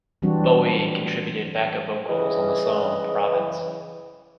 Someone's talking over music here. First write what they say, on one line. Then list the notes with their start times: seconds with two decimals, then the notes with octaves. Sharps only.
Bowie contributed back-up vocals on the song "Province".
0.22 E3 F#3 G3 C4 D4 F#4
2.09 C#3 E3 D#5